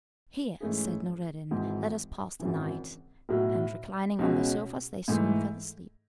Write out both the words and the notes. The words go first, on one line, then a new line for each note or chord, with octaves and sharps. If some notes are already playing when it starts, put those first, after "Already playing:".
"Here," said Noureddin, "let us pass the night," and reclining on the sofas they soon fell asleep.
G#2 E3 A3 C#4 G#4
G#1 G#2 E3
G#1 F#2 C#3 E3
B1 A2 F#3
C#2 B2 G#3 C#4
G#2 E3 A3